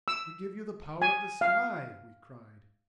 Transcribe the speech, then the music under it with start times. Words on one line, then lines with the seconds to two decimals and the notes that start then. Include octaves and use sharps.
"We give you the power of the sky!" we cried.
0.08 E6
1.02 G#5
1.41 F5